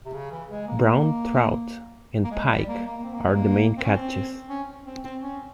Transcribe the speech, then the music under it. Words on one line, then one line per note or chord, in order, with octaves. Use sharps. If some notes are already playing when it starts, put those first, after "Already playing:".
Brown trout and pike are the main catches.
C3
C#3
E3
G#3
A#3
A#3
G#3
G3
A#3
A#3
C4
A#3
G#3
A#3
C4
C#4
C4
C#4
C4
C4
C#4